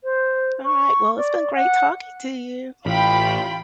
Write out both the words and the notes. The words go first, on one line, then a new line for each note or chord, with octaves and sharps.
Alright. Well, it's been great talking to you.
C5
C#6
D5
F#5
A1 F4 G5 B5